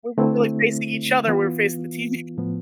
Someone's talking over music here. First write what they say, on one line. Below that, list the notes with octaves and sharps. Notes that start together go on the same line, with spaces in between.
we weren't really facing each other, we were facing the TV.
D3 A3 C4 E4
E3 B3 F4
A2 F3 B3